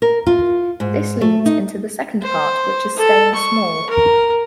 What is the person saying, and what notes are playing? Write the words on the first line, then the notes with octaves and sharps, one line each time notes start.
This leads into the second part which is staying small.
A#4
F4
G#2
A3
D#4
C5
A4
C#6
A#4